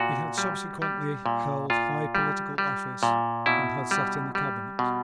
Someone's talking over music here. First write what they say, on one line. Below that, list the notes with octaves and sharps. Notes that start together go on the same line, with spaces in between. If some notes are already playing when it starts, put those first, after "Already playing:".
He had subsequently held high political office, and had sate in the Cabinet.
Already playing: A#2 F#4
G3
G3
A#2
A#2 F4
G3
G3
A#2
B2 E4
G3
G3
B2